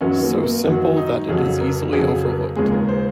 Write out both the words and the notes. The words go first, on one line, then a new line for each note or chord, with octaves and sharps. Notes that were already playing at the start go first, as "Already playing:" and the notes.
So simple that it is easily overlooked.
F#2 D#3 F#3 C#4
A#3
A#3
F#2 D#3 F#3
D#4
F2 C#3 F#3 G#4
A#4
F2 C#3 F#3 G#4
A#4
D#2 C#3 F3 G#3 G#4
A#4
C5